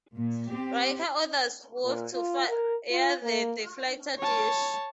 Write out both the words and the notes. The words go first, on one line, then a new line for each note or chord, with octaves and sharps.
Riker orders Worf to fire the deflector dish.
A#2
C4 G4
A#2
F4
A#4
F4
A#3
C#5 A5